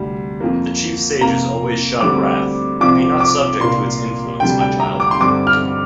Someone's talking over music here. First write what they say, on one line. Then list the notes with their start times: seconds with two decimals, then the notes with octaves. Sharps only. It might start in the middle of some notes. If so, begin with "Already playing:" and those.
The chief sages always shun wrath: be not subject to its influence, my child.
Already playing: D2 C3 G3
0.40 F2 F3 A#3
1.21 F2 C3 A#3 A#5
2.00 D2 D3 G3 C4 D6
2.80 C2 C3 F3 C4 D6
3.20 D6
3.60 C2 A#2 A#3 C6
4.40 D2 C3 G3 G5
4.60 G5
4.80 A#5
5.00 D6
5.11 C6
5.20 G2 D3 G3 C4 D6
5.47 F6